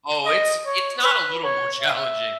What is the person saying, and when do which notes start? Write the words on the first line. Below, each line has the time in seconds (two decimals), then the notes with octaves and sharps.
Oh, it's it's not a little more challenging.
0.26 D#5
0.66 C#5
1.04 B4
1.44 C#5
1.82 E5